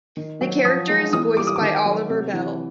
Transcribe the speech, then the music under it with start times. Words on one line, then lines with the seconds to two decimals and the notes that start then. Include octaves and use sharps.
The character is voiced by Oliver Bell.
0.17 D#3
0.41 F#3
0.65 F3 D#6
0.89 G#3
1.13 E3 D#6
1.37 G3 D6
1.47 D#6
1.56 D6
1.61 D#3
1.85 F#3
2.10 C3
2.33 E3